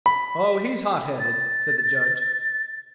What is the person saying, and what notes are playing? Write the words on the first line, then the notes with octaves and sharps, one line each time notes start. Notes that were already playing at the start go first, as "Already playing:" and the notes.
"Oh, he's hot-headed," said the Judge.
B5
A6